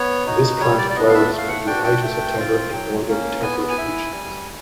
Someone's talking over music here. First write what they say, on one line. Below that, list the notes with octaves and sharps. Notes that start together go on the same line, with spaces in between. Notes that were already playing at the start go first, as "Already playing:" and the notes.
This plant flowers from July to September in northern temperate regions.
Already playing: B3 C#5
D#4 F#4
G3 C#5
D5
D5
B3 D4 D#5
F5
E5
A3
F5
F#5
D4 F#4 G5
G5
A3
C4 F4
F#3
A#3 C#4
B3 G#5
G#5
E4
G3